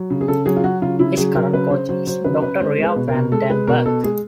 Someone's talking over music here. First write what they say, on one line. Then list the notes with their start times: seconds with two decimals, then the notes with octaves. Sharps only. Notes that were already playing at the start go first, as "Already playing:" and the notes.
His current coach is Doctor Ria van den Berg.
Already playing: F#3
0.10 C#3
0.21 G#4
0.28 C#3 A4
0.46 F#3 G#4
0.56 F4
0.64 F#3 F#4
0.82 C#3 F4
0.99 C#3 E4
1.17 F#3 G#4
1.35 F#3 A#4
1.53 C#3 B4
1.71 C#3 C5
1.89 F#3 C5
2.07 F#3 C5
2.24 C#3 B4
2.42 C#3 B4
2.60 G#3 C5
2.78 G#3
2.84 B4
2.96 B2
3.08 A#4
3.14 B2
3.32 G#3 A4
3.50 G#3 B4
3.67 B2 A#4
3.86 B2 A4
4.03 G#3 G#4